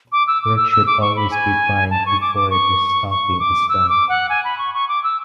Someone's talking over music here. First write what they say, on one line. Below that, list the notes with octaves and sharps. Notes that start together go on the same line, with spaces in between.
Work should always be primed before the stopping is done.
D6
E6
D6
E6
E6
D6
C#6
B5
G#5
A5
C#6
D6
D6
C#6
C#6
D6
E6
D6
F#5
G#5
B5
C#6
C#6
D6
E6